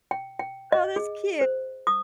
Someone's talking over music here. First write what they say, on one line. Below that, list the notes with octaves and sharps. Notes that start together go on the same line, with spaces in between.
Oh, that's cute.
G5
G5
D#5
G#4
C5
D#6